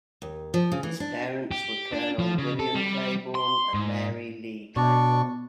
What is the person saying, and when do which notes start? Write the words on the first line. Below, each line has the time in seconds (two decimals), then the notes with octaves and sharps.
His parents were Colonel William Claiborne and Mary Leigh Claiborne.
0.22 D#2
0.54 F3
0.72 C#3
0.83 E3
1.00 D4
1.51 G4
1.92 D4
2.19 F3
2.38 C#3
2.59 A4
2.75 G3
3.35 C6
3.74 G#2
4.76 B2 D4 D5 C#6